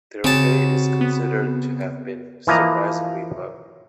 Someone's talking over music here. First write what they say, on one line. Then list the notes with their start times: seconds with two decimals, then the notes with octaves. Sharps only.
Their pay is considered to have been surprisingly low.
0.24 C#3 C4 F#4 G4 A5
1.01 B3
2.47 E3 F3 A#3 D#5 A#5